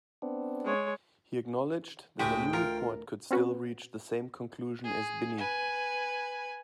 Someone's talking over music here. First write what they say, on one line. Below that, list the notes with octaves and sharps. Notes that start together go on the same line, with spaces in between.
He acknowledged that a new report could still reach the same conclusion as Binnie.
B3 C4 D4
G#3 C#5
D2 A2 G#3 F#4 G4 B4 G5
F4 A#4
C4 C#4 F#4 B4
G#4
B4 G#5